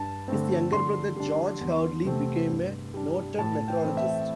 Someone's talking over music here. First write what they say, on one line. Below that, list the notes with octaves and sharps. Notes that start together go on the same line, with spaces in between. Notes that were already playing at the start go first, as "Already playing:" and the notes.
His younger brother George Hadley became a noted meteorologist.
Already playing: G2 A5
D3 A3 C4
D3 C6
G3 D4
E2
C3 A3 C4
G2
G3 D4
A2 A5
G5
E3 A3 C4
E5